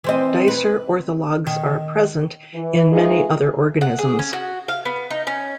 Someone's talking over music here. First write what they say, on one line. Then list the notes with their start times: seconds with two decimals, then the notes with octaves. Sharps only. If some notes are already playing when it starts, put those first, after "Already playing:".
Dicer orthologs are present in many other organisms.
0.04 E3 C4 D#5
0.48 B4
1.47 D#3
2.54 E3
2.91 E3 G#3 D#4 F4 G#4
3.81 F#5
3.99 G#4
4.19 C#4
4.33 F#4
4.68 F5
4.85 B3
5.11 D#4
5.27 C#4